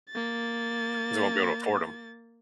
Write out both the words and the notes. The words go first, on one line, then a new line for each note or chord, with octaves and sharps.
'cause they won't be able to afford 'em.
A#3 A6